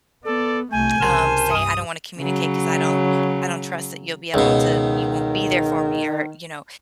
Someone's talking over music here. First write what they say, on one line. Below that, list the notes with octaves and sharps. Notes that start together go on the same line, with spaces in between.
um, say, "I don't wanna communicate 'cause I don't I don't trust that you'll be able to you won't be there for me," or you know,
B3 A4 D5
C2 A3 G#5 G6
C2 C#3 A#4 C5 A5 C6
G2 D#6
C#3 F#3
C#2 B2 D#3